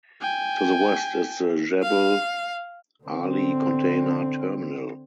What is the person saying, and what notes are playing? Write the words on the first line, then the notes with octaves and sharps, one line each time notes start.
To the west is the Jebel Ali Container Terminal.
G5 G#5
F5
D3 C4